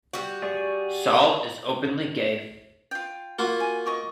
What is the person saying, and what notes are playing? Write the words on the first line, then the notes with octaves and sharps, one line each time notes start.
Saul is openly gay.
G3 F#4
G#4 D5 C#6
F4 G5
A#3 F4 F#4
G#5
D#5 C#6 D6